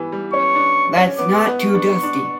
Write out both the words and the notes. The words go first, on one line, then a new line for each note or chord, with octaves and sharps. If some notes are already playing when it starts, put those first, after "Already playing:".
That's not too dusty.
Already playing: E3 G3 B3
G3
C#4 C#6
D4
C#4
B3 D6
B3
C#6
D4
D4